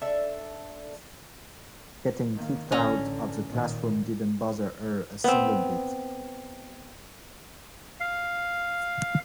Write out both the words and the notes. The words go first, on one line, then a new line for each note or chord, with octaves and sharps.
Getting kicked out of the classroom didn't bother her a single bit.
D4 A4 E5
D#3 A#3
A1 D3 C#4 A#5
A#2 D#3
B3 C4
F5